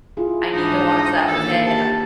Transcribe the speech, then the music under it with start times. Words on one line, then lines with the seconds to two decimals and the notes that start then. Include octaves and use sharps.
I need to watch that with him.
0.17 E4 F4 G#4
0.52 G#2 E3 D4 D#4
1.27 D#3 E3 A#3 A4
1.66 G4 B4 A5